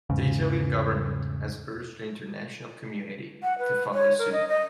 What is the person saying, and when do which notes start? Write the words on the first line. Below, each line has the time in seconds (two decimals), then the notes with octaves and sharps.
The Italian government has urged the international community to follow suit.
0.10 E2 G#2 C#3
3.43 F#5
3.58 B4
3.93 C#5
4.19 A#4
4.32 D#5
4.48 D#5